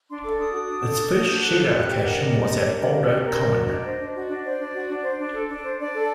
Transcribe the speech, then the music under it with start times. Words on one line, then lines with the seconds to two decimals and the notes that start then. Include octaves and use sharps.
Its first shed allocation was at Old Oak Common.
0.09 D4 C6
0.23 A4 D6
0.38 D4 D#6
0.53 F#4
0.69 D4
0.84 A4
0.99 D4
1.14 F#4
1.28 D4 G6
1.43 A4 F#6
1.58 D4
1.73 G4 F#6
1.89 D4 G5
2.03 A#4 F#5
2.15 D5
2.18 D4 D#5
2.33 G4
2.49 D4
2.63 A#4
2.79 D4
2.93 G4
3.09 D4 D5
3.23 A#4
3.39 D4
3.53 F#4 D#5
3.68 D4
3.84 C5
3.99 D4
4.13 F#4
4.29 D4
4.44 C5 D5
4.59 D4
4.73 F#4
4.89 D4
5.03 C5
5.19 D4
5.33 A4
5.49 D4
5.63 C5
5.79 D4 D5
5.94 A4